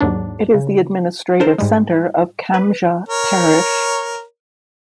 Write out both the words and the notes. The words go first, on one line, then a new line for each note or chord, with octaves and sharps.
It is the administrative centre of Kambja Parish.
D#2 G#2 F#3 D4
C#3
D4 A4 A#4 C5
G#2 G3 G#3
B4
A#4 C#5